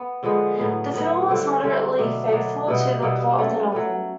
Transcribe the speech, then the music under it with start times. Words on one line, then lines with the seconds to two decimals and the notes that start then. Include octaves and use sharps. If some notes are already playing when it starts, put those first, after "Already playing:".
The film was moderately faithful to the plot of the novel.
Already playing: B3
0.23 D3 F3 G#3 B3
0.58 A2 F#3 B3
0.93 A2 F#3 B3
1.28 D3 G3 C4 E4
1.63 D3 G3 C4 E4
1.98 B2 F#3 A3 D4
2.32 B2 F#3 A3 D4
2.67 B2 G3 B3 E4
3.02 B2 G3 B3 E4
3.38 F#3 A3 C#4
3.72 F#3 A3 C#4